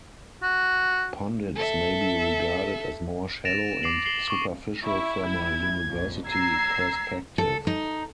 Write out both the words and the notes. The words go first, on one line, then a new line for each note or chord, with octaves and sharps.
Pundits may be regarded as more shallow and superficial from a university perspective.
F#4
A4 E5
A6 A#6 D7 E7 F7
D6 C7 F#7
C7 F#7 G7
C#6 D6
E4 C#6
G#6
A#1 F2
A#5 E6 G#6 C7
A4
D#4